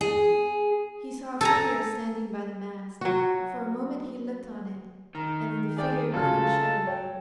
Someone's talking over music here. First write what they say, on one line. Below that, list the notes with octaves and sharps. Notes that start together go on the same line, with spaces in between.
He saw a figure standing by the mast; for a moment he looked on it, and then the figure became shadowy.
G#4
A4 G#5 A#5
F#3 F#4
D#3 A#5
G#4 D5 G5
C#3 F#3 F4 A4 A5 F6
C#5 G5